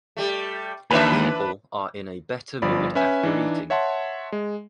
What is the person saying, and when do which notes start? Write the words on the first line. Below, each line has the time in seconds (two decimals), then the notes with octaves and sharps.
People are in a better mood after eating.
0.17 G3 A3
0.91 D#2 E3 D4 B4 C5 E5
2.62 G1 F3 D5 B5
2.95 C#4 B4 E5 G#5
3.23 E3 D4 D#4
3.70 C#5 E5 F#5 A5 C6
4.32 G#3